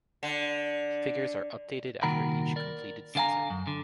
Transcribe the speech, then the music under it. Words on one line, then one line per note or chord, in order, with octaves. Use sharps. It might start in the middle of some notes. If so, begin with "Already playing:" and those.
Figures are updated after each completed season.
D3
C2 A#2 D#3 F#4 A#4 B5
A#4 D5
D3 B3 F5 G#5 A#5
F#2
D3